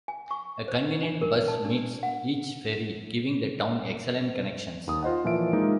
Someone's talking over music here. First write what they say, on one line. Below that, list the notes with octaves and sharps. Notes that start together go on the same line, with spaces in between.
A convenient bus meets each ferry giving the town excellent connections.
G#5
C#6
C5
D4
A#4
A5
D4
F#5
D#2 D#6
F4 C5 D#5 F#5
A#2 E3 F3 F4 E5 D7
G#3 A#3 D#4 F4